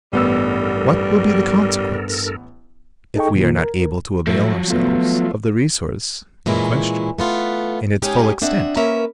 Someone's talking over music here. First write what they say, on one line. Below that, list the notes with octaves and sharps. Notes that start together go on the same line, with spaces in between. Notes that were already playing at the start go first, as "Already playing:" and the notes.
What will be the consequence, if we are not able to avail ourselves of the resource in question in its full extent?
A1 G2 G3 B3 A4 A#4 E6
D#4 G#4 A4 D#5 G5 C#6
A#2 D#3 F3 A#3 F4
A#4
A2 F3 F#3 A3
A3 B3 F4
A#2 E3 G#3 C#4 E4
A3 B3 F4
G#3 C#4 D#4 G4 G#4
C4 D4 D#5 E5 F#5
A#3 C#4 A#4 B4 E5